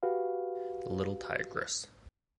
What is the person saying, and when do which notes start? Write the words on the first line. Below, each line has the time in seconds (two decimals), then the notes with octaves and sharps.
The little tigress.
0.03 F#4 G4 B4 F5